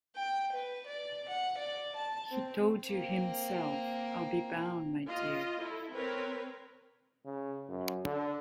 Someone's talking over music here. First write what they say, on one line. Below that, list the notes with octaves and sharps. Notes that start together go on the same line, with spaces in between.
He told you himself, I'll be bound, my dear?
G5
B4
D5
F#5
D5
A5
C4
A#3 C4
F4 D#5
E4 A4
C4 A#4 B4 C#5
C#3
F#2
D3